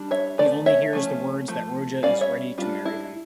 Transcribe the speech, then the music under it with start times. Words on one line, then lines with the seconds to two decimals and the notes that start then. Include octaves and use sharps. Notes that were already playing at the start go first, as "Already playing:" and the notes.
He only hears the words that Roja is ready to marry him.
Already playing: G3 D4
0.11 C#5 E5
0.38 E3 A3 D5
0.66 C#5 E5
0.93 F3 A3 C#4
1.48 F3 A3
2.03 G3 C#4 D5 F5
2.21 C#5 E5
2.58 G3 D4 F4
2.85 E4